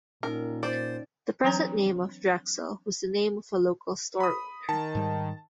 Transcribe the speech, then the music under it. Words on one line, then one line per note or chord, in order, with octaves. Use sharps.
The present name of Drexel was the name of a local store owner.
A#2 C#4 D#4 A#4
C5 D5
E3 F#3 C4 D4 C#5 A#5
B5 D#6
D#3 A5
G#2 G3